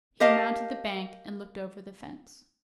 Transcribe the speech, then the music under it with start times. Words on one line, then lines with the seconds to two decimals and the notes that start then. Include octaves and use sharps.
He mounted the bank and looked over the fence.
0.20 G4 A#4 D#5 F5 A5